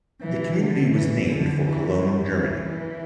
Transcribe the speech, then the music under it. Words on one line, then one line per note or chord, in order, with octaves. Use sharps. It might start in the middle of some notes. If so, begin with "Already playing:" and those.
The community was named for Cologne, Germany.
E3
D3
E3
D3
E3
G3
E3
E3